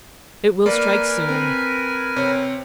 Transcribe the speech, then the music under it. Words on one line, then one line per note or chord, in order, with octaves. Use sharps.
It will strike soon.
A#3 A#4 B4 D5 G#5
C4
C3 C4 C#5